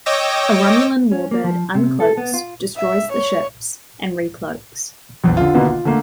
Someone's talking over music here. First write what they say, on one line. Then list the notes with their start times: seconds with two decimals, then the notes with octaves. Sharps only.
A Romulan Warbird uncloaks, destroys the ships, and recloaks.
0.06 C#5 D#5 G5 D6 E6 A#6
1.12 C#4
1.31 A#3
1.44 F3
1.75 C3
2.00 A4
2.17 B3
2.34 F4
2.76 E5
3.12 C#5
5.24 A#1 E2
5.37 D3 F4
5.54 B2 D3 D#3 A#3 B3
5.68 F4
5.85 D3 A3 A#3